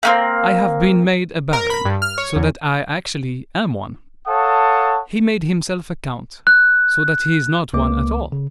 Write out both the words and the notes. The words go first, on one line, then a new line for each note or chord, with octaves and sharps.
"I have been made a baron, so that I actually am one; he made himself a count, so that he is not one at all."
A3 A#3 C4
A#4
B5
G2
F6
C#5
E2
A4 C#5 F5 F#5 A5 D#6
F#6
C#2 A#3 D6
C#3